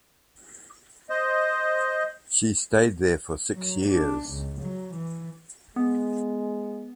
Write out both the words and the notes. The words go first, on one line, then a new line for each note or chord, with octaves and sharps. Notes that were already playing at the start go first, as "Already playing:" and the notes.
She stayed there for six years.
C5 D#5
F#3
D4
C#2
F#3
E3
G#3 B3